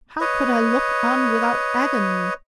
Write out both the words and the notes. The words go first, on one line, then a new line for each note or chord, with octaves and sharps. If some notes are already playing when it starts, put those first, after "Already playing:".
How could I look on without agony?
B4 C#5 D#5